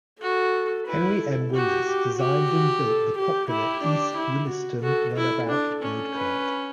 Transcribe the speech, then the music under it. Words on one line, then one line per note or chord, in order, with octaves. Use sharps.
Henry M. Willis designed and built the popular East Williston Runabout Roadcart.
F#4 A4
E4 B4
A4
F#4 G4
G4
F#4 G4
F#4
A4
G4
E4 G4
D4
E4
F#4
F#4 A4
E4 A4
D4
C#4
B4